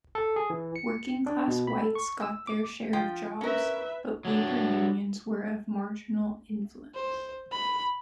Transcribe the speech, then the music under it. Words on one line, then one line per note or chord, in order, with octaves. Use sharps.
Working-class whites got their share of jobs, but labor unions were of marginal influence.
A4
G#4
E3
C#7
D4
B2
B5
A4
C#6
E6
D6
F3 F4 G5
C#4 A#4 B4 E5
F#3 D4
C5
B5